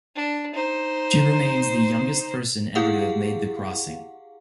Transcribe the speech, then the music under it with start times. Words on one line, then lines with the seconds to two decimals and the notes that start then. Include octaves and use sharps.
She remains the youngest person ever to have made the crossing.
0.15 D4
0.54 D#4 C5
2.75 E4 G4 G#4 F5 F#5